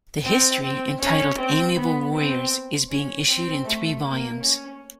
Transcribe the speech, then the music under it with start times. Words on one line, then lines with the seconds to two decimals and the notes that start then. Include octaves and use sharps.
The history, entitled "Amiable Warriors", is being issued in three volumes.
0.24 C4
0.61 C4
1.00 C#4
1.38 C4
1.76 B3
2.14 C4
2.90 C#4
3.28 C4
3.65 A3
4.04 A#3
4.41 C#4